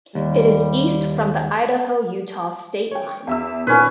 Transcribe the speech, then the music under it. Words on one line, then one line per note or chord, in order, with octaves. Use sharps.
It is east from the Idaho-Utah state line.
D#2 G3
C#5 G5
E2 E5 E6
A#2 D#3 A#3 C#4 B4